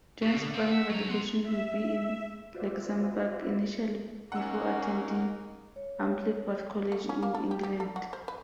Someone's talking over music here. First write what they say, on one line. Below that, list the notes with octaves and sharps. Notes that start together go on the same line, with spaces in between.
Jean's primary education would be in Luxemboug initially before attending Ampleforth College in England.
B2 G4 A#4
D3
G3 C4 E5 F5
E5 F#5
F#3 A3 A#5
B3 F#5 C6
E5
F4 F#4 B4 C5 D5 E5
A#3 C#4 D#4 F#5 E6
C#5
A3
C#4
A#3
A4
G4
G4
A4
F#4
C5
B4